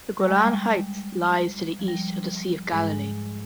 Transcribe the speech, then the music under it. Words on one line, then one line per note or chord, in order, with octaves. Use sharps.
The Golan Heights lies to the east of the Sea of Galilee.
G3
G#3
G3
F3
G3
G#2 G#3